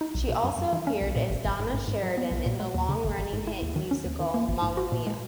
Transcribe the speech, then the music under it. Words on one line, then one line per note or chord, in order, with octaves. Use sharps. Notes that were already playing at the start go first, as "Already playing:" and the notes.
She also appeared as Donna Sheridan in the long-running hit musical, "Mamma Mia!".
D#4
B1
B2
F#2
F#2
E3
C#4
B1
A#2
G#1
G#1
G#2
G#2
G#2
F#3
B3
B1
A#2
G#3
D#2
C#3
G#1
G#1
G#2
E4
D#2
D#3
C#4
D#2
D#3
A#3
G#1
G#2
F#4
A#2
G#3